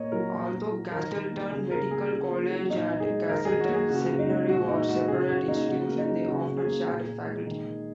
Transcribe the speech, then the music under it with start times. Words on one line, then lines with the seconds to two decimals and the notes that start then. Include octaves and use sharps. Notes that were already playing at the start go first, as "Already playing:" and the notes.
Although Castleton Medical College and Castleton Seminary were separate institutions, they often shared faculty.
Already playing: A#2 A#3 C#5 D#5
0.12 F#3 A#4
0.33 A#2
0.52 A#3
0.72 F#3
0.92 D#3 A#4
1.12 D#3
1.31 A#3
1.51 C#3 G#4
1.71 C#3 A#4
1.90 A#3 G#4
2.11 C#3
2.31 A#3
2.51 F#3
2.70 A#2 D#4
2.90 A#2
3.00 G#4
3.09 G#3
3.29 D#3 A#4
3.45 D#3 G#4
3.60 F#4
3.69 A#3
3.75 G#4
3.89 C#3 F#4
4.09 C#3
4.19 D#4
4.29 G#3
4.49 A#2 F#4
4.69 A#2 D#4
4.88 G#3 F#4
5.08 C#3 G#4
5.28 C#3 F#4
5.48 A#3 D#4
5.67 C#3 F#4
5.88 A#3
5.98 D#4
6.08 F#3
6.27 C#3 F#4
6.47 C#3
6.57 G#4
6.67 A#3
6.87 A#2
7.07 A#2
7.27 G#3
7.46 D#3
7.66 D#3